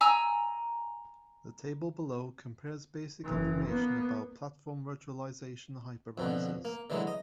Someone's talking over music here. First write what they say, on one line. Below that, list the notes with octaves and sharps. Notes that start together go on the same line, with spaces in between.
The table below compares basic information about platform virtualization hypervisors.
G#5 A#5 E6
F#1 E3
A#3 B3
F2 B2 D3
A#3
D3 E3 F#3 G#3
D#5